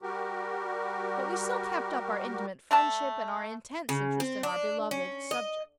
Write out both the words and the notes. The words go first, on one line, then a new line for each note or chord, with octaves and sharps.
But we still kept up our intimate friendship and our intense interest in our beloved subject.
G3 F#4 G4 A#4
A3 D5 E5 A5
C#3
C4
D4
C#4
D#5